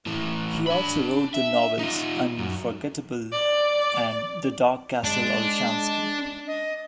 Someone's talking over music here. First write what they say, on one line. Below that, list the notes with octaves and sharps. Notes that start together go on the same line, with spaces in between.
He also wrote the novels "Unforgettable" and "The Dark Castle Olshansky".
A2 E3
D4 B5
E5
D#4 F4
F#2
D5
G#3 D4
D#5